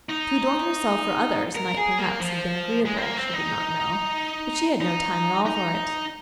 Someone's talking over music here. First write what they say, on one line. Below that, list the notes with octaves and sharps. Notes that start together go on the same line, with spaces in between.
To adorn herself for others might perhaps have been agreeable--she did not know--but she had no time at all for it.
D#4
A#4
G#4
A#3
F3
G#3
C4
A#3
C4
D#4
D#4
D#4